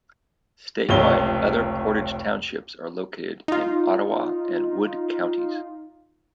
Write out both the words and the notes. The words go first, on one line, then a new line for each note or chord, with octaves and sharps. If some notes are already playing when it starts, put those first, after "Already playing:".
Statewide, other Portage Townships are located in Ottawa and Wood counties.
F1 C#2 C#5 G7
D#4 F4